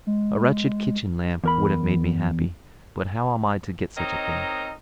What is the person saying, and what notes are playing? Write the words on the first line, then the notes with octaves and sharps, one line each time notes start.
A wretched kitchen-lamp would have made me happy, but how am I to get such a thing?
G#3
E2 A#4 B5
C4 D#4 A#4 C#5 D#5